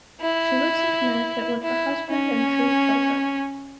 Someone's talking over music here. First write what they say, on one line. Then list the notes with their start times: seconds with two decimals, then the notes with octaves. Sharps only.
She lives in Connecticut with her husband and three children.
0.21 E4
1.63 E4
2.10 C#4